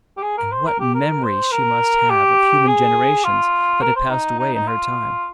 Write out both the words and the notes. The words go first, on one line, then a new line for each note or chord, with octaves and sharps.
And what memories she must have of human generations that had passed away in her time.
G4
G#4
A#4
C5
A#4
G4
A#4
C5
A#4
G4
G#4
F4
A#4
C5
D#4
D#4
D#4
F4